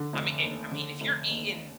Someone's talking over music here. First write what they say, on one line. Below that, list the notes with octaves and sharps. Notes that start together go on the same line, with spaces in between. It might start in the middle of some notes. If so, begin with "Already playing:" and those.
I mean, eh I mean, if you're eating
Already playing: D3
F1
D#2
D3
F1
D#2